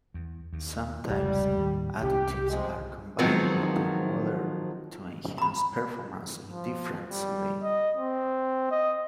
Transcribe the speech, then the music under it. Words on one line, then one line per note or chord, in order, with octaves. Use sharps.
Sometimes additives are combined with the water to enhance performance in different ways.
E2
D#2
F1 C#2 B2 G3
D#2 A2 D#3
C2 C4 C#4 G4
C3 F3 G#3
D#3 F3 F#3 G#3 B3 C4
A#5 B5
F3
G3
D#5
C4
D#5